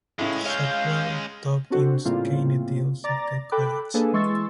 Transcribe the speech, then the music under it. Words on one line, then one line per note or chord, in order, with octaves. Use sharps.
Shotwell taught in Skaneateles after college.
A2 C#3 G#3 C#4
C#5 F5 G6
C4 D4 F#4 A4 C5
A2 C#3 G3 A#3 C4 F4
D5 A#5 D6 A6 A#6
A4 G5 B5 D6 F#6
A#3 D4 G#4 A4 B4 G#5
E3 G#3 C6 C#6 E6 A6